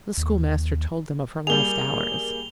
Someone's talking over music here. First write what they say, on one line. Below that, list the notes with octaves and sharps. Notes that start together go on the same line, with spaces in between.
The schoolmaster told them of her last hours.
D#2
G3 A#3 G#4 F7 G7